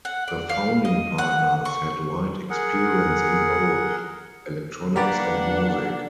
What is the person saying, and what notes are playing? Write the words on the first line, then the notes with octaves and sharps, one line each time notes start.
The founding partners had wide experience in both electronics and music.
F#5
D5
F5
D#5
F#5
C#6
G#4 A#4 F#5
A#3 D4 G4 B4 D5 F#5